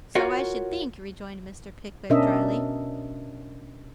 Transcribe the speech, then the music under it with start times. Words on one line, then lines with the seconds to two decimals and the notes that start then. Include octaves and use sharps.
'So I should think,' rejoined Mr. Pickwick drily.
0.15 F4 F#4 A#4 C#5
2.10 B2 C#4 D4 A#4 D#5 E5